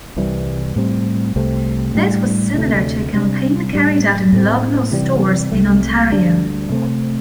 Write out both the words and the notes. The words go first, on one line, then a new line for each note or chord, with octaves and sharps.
This was similar to a campaign carried out in Loblaws stores in Ontario.
C2 C3 E3 G3
A2 G3 C4
C2 C3 A3 C4
A2 G3 D4
D2 C3 A3
C3 G3 D4
A2 G3 D4
A2 A3 C4
C3 E3 G3
C2 C3 A3
D2 D3 G3 D4
C3 A3 C4